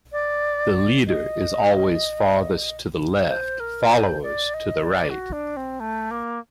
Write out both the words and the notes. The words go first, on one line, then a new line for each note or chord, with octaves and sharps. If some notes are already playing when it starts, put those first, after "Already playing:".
The leader is always farthest to the left, followers to the right.
D5
D#5
C5
A#4
C5
D5
D#5
D5
F#4
D4
C4
A3
A#3